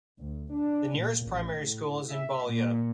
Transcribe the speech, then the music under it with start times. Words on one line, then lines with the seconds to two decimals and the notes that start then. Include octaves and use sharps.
The nearest primary school is in Boulia.
0.20 D2
0.53 D4
0.98 A#2
1.27 A1
1.58 A2
2.08 E5
2.46 A#2